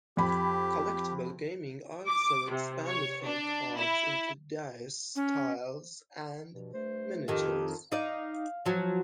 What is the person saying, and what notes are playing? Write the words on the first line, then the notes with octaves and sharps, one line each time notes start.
Collectible gaming also expanded from cards into dice, tiles, and miniatures.
F2 G4 B5
D6
C3
C#5
D4
E4
C#4
G2 B2 F3
G2 A3 C5
F2 D#3 G4
D#4 D5 F5
F3 F#3